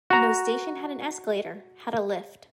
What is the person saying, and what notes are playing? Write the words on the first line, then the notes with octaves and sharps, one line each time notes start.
No station had an escalator; had a lift.
F#4 A#5